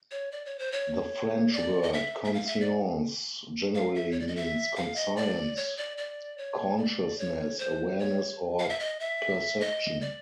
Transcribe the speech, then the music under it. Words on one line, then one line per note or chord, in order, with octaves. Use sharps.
The French word "conscience" generally means "conscience", "consciousness", "awareness", or "perception".
C#5
D5
C#5
C5
C#5
D5
D#5
E5
E5
F5
E5
D5
F5
E5
C#5
D5
D#5
E5
F5
D#5
D5
C#5
D5
D5
C#5
D5
C#5
C5
C#5
F5
E5
D#5
E5
D#5
D5